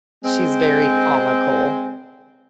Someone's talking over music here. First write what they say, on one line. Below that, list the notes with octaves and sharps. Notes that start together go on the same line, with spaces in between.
She's very comical,
G#3 C4